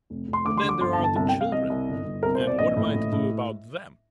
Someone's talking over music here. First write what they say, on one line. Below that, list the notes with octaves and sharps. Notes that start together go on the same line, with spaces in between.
But then there are the children, and what am I to do about them?
F1
F1
C6
D2 D6
C6
D3
D6
G1 C6
A5
G1
A5
C2 A5
G5
C2
F5
C2 D#5
C2
G1
G1
C2 A#4
C5
C2
D5
A#1 D#5
A2
A1
A2